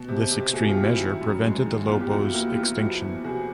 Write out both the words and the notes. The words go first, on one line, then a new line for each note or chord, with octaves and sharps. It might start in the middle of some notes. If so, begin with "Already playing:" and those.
This extreme measure prevented the lobos' extinction.
Already playing: B2
C3
C3
C3 F#4 G#4
F4 G4
C3
E4 F#4
D#3
F#2
G#3
D#3
E2 F4
F4 G4
E2 E4 F#4
F4
A#3 E4 F#4
F4 G4
E2
F4
F3 E4 F#4
E2
C3 F#4 G#4